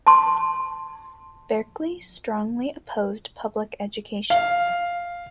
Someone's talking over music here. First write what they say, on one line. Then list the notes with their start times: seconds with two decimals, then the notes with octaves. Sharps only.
Berkeley strongly opposed public education.
0.07 A5 C6
4.30 F5